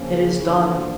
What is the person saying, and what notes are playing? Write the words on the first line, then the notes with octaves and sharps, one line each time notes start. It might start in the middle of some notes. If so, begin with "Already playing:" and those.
It is done.
Already playing: C#3 F3 A#3 C#4
D3 F3 A#3 E4 F#4